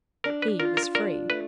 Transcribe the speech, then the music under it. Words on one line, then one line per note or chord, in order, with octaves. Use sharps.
He was free.
D4 A#4
B4
F4 A#4
A#4
D4 A#4
A3 B4